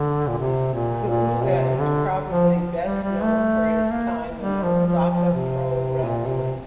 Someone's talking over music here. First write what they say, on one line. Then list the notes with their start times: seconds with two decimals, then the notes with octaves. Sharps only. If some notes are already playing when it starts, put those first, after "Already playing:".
Kuuga is probably best known for his time in Osaka Pro Wrestling.
Already playing: D3
0.27 A#2
0.38 C3
0.74 A#2
1.08 A#2
1.44 C3
1.79 D3
2.27 F3
2.86 G3
3.03 G3
3.22 A3
3.92 A#3
4.40 G3
4.63 F3
4.86 F3
5.10 F3
5.33 C3
6.04 A#2
6.28 C3